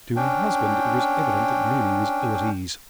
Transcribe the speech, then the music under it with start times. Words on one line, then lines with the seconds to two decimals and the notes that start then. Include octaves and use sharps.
To her husband, it was evident that Mimi was ill at ease.
0.16 C#4 D4 G5